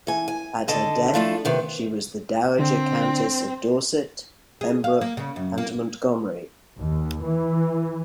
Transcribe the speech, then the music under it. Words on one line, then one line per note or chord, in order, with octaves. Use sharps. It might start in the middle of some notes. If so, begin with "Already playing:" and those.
At her death she was the Dowager Countess of Dorset, Pembroke, and Montgomery.
E3 G#5
G#5
D3 D#3 D4 A4 D#5 A5
F3 F#3 A3 D4 E4 F4
C3 D#3 B3
D3 C4
G#4
F5
A#3
C#3
F#2
A#3
D#2
E3